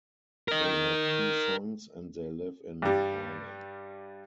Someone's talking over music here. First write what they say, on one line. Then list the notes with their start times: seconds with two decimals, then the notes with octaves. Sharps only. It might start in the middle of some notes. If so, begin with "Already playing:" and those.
They have two sons and they live in Harlem.
0.48 A#4 D#5
2.82 G2 G3